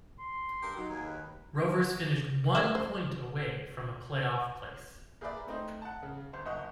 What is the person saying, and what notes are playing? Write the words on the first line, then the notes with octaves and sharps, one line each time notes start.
Rovers finished one point away from a play-off place.
C6
G2 G4 A#4
F#3 D#4
D#2 G#4
B4
A#4 D5 E5
C5
A#3 G#4 A#4 B4 D5 E5
A3 C4 D#4 C5
F#5 A5
C#3
G1 C5
F#1 D#5 F#5 C#6